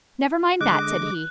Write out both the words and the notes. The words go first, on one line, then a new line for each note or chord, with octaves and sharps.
"Never mind that," said he.
D3 G#3 D#5 D6 F#6